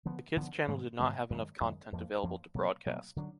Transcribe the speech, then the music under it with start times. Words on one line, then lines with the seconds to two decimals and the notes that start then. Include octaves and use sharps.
The kid's channel did not have enough content available to broadcast.
0.05 D3 F3 B3
0.37 D3 F3 B3
0.68 G#2 D#3 G#3 B3
0.99 G#2 D#3 G#3 B3
1.30 F#2 D#3 G#3
1.61 F#2 D#3 G#3
1.92 F2 F3 A#3
2.23 F2 F3 A#3
2.55 B2 F#3 A#3
2.86 B2 F#3 A#3
3.16 D3 F#3 D4